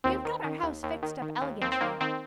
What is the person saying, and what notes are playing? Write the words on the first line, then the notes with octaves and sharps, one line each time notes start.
We have got our house fixed up elegantly.
D#2 C4
D#3
D#3
D#2
D#2
D#3
D#3
D#2
D#2 C4
C4
D#3 A#3
D#3 C4